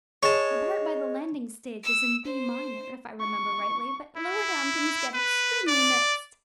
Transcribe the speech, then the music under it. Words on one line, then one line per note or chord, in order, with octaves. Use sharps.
The part by the landing-stage is in B minor, if I remember rightly, but lower down things get extremely mixed.
G#3 C#5 A5
E6
C5
C#6
E4
B4
D5